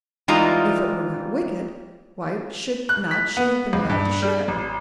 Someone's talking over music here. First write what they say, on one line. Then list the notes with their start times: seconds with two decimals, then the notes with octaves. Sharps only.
If it were not wicked, why should not she have been allowed to share it?
0.28 E3 G3 G#3 D#4 F4 A#5
2.89 F#6
3.11 B6
3.37 B3
3.73 C#2
3.89 G2
4.22 G3
4.48 A1